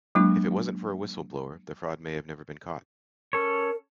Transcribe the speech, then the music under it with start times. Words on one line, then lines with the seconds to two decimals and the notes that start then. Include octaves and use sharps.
If it wasn't for a whistle blower, the fraud may have never been caught.
0.15 F#3 G#3 A#3 D4 E4
3.33 C#4 A4 A#4 C#5